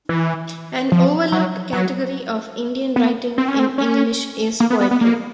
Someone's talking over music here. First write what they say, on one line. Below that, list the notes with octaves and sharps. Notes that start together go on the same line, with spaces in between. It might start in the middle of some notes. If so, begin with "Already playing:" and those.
An overlooked category of Indian writing in English is poetry.
E3
F3
F#3
F#3
B3
C4
C#4
C4
C#4
A#3
B3
B3
B3
A#3